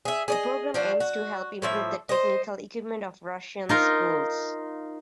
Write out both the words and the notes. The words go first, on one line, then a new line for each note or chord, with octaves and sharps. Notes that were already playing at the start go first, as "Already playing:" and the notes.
The program aims to help improve the technical equipment of Russian schools.
G#4 E5
G#4 D5 D#5
F3 D4 F#4
F#4
A2 F3 E5
C5 D#5
D#4 F4 A#4